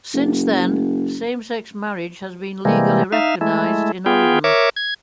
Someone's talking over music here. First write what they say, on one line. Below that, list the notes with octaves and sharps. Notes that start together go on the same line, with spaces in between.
Since then, same-sex marriage has been legally recognized in Oregon.
F#1
C3 E3 G3 G#3 A#3
D#4 E5 F5
G#3 A3 E4
B3 F4 G#4 G5
A#4 C#5 E5 D6
G#6